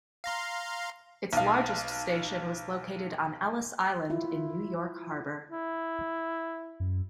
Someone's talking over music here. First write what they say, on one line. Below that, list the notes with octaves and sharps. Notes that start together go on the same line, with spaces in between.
Its largest station was located on Ellis Island in New York harbor.
F5 A#5 C6
B1 F5
E4 F4
E4
F#2